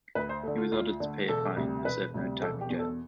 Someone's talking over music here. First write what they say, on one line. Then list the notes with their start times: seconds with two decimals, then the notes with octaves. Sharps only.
He was ordered to pay a fine, but served no time in jail.
0.15 D2 B4
0.29 C5
0.43 D3 A3
0.58 F4
0.72 D2 F4
1.00 D3 A3
1.28 E1 A4
1.56 D2 C3 G3
1.85 E1 B4
2.14 D2 C3 G3
2.42 E1 A4
2.61 G4
2.70 E2 B2
2.79 A4